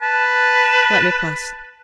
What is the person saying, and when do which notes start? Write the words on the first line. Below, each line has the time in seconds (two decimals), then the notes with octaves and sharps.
Let me pass.
0.02 B4 A5